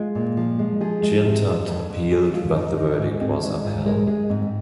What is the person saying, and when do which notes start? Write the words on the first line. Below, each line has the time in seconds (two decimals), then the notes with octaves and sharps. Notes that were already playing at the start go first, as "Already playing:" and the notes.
Jeantot appealed but the verdict was upheld.
Already playing: G#3 F4
0.15 A#2
0.37 F3
0.59 G#3
0.81 F3 G#4
1.03 G#3
1.24 C3
1.46 F2
1.68 F2
1.90 F2
2.11 F3 G#4
2.33 G#3 F4
2.55 F2 D#4
2.77 F2 D#4
2.99 G#2 D#4
3.21 G#3 C4
3.42 G#3 D#4
3.64 G#2 F4
3.85 G#3 A#4
4.08 G#3 G#4
4.29 G#2 C4